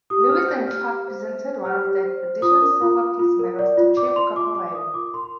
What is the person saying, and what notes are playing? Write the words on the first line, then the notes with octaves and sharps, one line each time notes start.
Lewis and Clark presented one of the expedition's silver peace medals to Chief Kepowhan.
G4 D#6
C5 F6
G4 G6
G4 F6
G4 F6
C5
C5
C5
G4 F6
G4
C5
C5
F4 D#6
A#4
F4
F4
F4
A#4
D5
F4
D5 D6
F4 C6
F4 D6
D5 D6
A#4 D#6
F4 D6
A#4 C6
C6